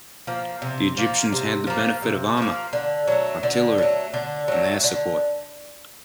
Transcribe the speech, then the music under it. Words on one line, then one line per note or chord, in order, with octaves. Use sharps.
The Egyptians had the benefit of armor, artillery and air support.
F3 A#3
C3
F3 A#3
C3
F3 A#3
C3
F3 A#3
D3
F#3 A3
D3
F#3 A3
D3
F#3 A3
D3